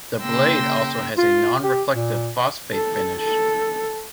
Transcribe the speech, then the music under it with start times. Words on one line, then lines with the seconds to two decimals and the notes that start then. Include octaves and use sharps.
The blade also has a non-reflective phosphate finish.
0.20 C#3 A#3 G5 C6 E6 A#6
1.18 F4
1.63 G4
1.95 A#2
2.73 A4
3.16 A4